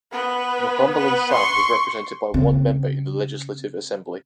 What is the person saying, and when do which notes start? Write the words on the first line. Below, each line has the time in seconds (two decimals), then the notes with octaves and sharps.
Northumberland South was represented by one member in the Legislative Assembly.
0.12 B3 B4
0.95 B3 B4
1.32 C6 C#6
2.34 C#3 C4